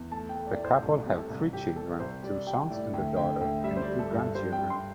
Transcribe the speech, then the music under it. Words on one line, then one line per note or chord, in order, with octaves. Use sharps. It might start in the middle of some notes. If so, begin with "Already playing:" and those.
The couple have three children, two sons and a daughter, and two grandchildren.
Already playing: E2
A3 A5
G5
A3
D5
A2
C5
C2 A4
C3
A4
C2
C2 G4
C3 A4
C2 C5
G3 D5
G3 G5
A2 D5
D2 G5
D3 G5
D2 G5
G3 E5
C5
D5
G3
A4
G2
A4
G3 C5
G5
G3
C6